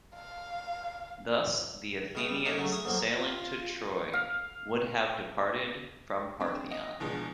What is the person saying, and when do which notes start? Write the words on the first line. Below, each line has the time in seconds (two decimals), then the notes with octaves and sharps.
Thus the Athenians sailing to Troy would have departed from Phaleron.
0.15 F5
2.15 C#2 C#3 E4 D#5 F5
2.29 G3
2.45 A3 A#3 D4 D#4
2.58 C#3 F#3 A3
2.72 E5 D#6
2.85 A#2 D3 F3 F#3 A#3 C4
3.16 F4
4.13 F5
6.40 C4 D4
6.71 D#5
7.00 E2 B2 F3 G#3 D4